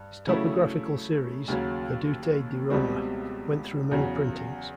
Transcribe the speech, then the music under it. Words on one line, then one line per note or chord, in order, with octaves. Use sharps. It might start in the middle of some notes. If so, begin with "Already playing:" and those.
His topographical series, "Vedute di Roma", went through many printings.
Already playing: G2
C#3 F#3 A3 C#4 E4
D#2 C#3 F#3
C#2 B2 G3 C4
E2 C#3 F#3